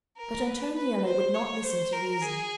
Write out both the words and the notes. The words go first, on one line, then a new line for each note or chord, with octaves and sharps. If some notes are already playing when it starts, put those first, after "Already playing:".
But Antoniello would not listen to reason.
A#4
B4
B4
C5
C#5
C5
A#4
G#4